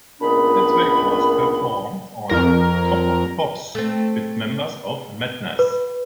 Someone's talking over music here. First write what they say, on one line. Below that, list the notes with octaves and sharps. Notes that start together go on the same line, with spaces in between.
The track was performed on "Top of the Pops" with members of Madness.
C#2 A#2 D#3 B3 D4 B5
F2 A#4
A3 C4
B4